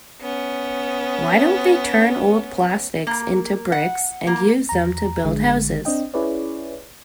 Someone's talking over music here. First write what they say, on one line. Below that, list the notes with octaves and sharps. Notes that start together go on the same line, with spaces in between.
Why don't they turn old plastics into bricks and use them to build houses?
B3 C#4
A#3
F#5
A#3
E2 A#5
A1 D3 G#3
C4 D4 D#5 G5
C#4 E4 G#4 B4 C#5 D5